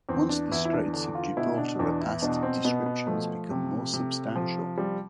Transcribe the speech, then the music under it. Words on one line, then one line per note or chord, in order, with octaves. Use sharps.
Once the Straits of Gibraltar are passed, descriptions become more substantial.
E2 C4
D4
E2 E4
E4
D4
D3 D4
F4
B2 E4
D4
E2 D4
E4
B2 D4
C4
B2 B3
B3
F3 A3
C3
C3
F3
F3 G3